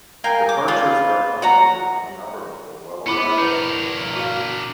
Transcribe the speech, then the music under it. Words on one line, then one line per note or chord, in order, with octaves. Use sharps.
Departures are accommodated on the upper level, while arrivals at the ground level.
A#4 F5 G5 G#5
D6
F4 B4 A5
F#4 C#5 A#5
B3 E4 B5 D6
D4 E4 A#4 B4
F#4 F5